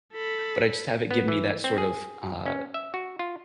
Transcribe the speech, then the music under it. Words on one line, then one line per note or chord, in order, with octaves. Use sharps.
But I just have it give me that sort of, uh,
A4 B5
B3
E3
C4
G#4
C#4
E5
F#4
F4